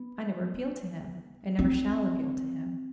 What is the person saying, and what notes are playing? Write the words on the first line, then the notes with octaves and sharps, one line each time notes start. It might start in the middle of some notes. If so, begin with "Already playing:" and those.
I never appeal to him, and never shall appeal to him.
Already playing: B3
C4